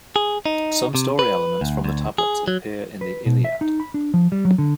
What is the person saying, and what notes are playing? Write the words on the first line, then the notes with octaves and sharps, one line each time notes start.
Some story elements from the tablets appear in the "Iliad".
G#4
D#4
C3
B4
D2
D2
G#4
F#3
B4
B2
E5
D#4
B5
D4
F3
G3
F#3
D3